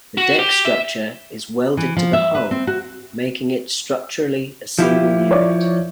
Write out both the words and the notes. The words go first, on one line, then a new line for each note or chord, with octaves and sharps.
The deck structure is welded to the hull, making it structurally a single unit.
F#4
G4
E5
E3
F3
E5
B4
C4
F#4
F3 E4 G4
C#5 D5 D6